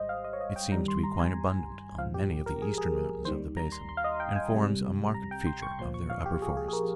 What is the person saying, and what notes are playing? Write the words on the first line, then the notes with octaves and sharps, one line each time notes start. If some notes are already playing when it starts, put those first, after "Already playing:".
It seems to be quite abundant on many of the eastern mountains of the basin, and forms a marked feature of their upper forests.
Already playing: G#1 G#2 G3 C5 D#5
F5
D#5
C#5
D#5
G5
G1 G2 D#3 G3 A#5
C6
A#5
G#5
A#1 G#2 F3 F5
G4
A#4
G#4
G#4
D#2 D#3 G3 C5
A#5
C6
C6
F5
D#5
G5
G#5
C2 C3 G3
A#5
G5
C6
C#6
A#1 A#2 F3 C6
C#6
F5
G4
G#4
G#4
G#4
A#4